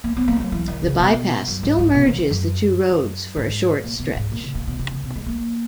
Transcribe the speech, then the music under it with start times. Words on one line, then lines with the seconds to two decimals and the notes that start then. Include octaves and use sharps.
The bypass still merges the two roads for a short stretch.
0.04 A#3
0.17 B3
0.28 A#3
0.40 F#3
0.52 E3
0.68 D#3
0.83 C#3
1.00 B2
1.47 F#2
1.63 G#2
1.79 G#2
1.94 B2
2.06 D#3
2.18 E3
2.31 F#2
2.90 F#2
3.36 G#2
3.84 A#2
4.00 B2
4.16 G#2
4.32 A#2
4.44 C#3
4.55 A#2
4.67 B2
4.79 C#3
4.91 C#3
5.03 B2
5.16 G#3
5.27 A#3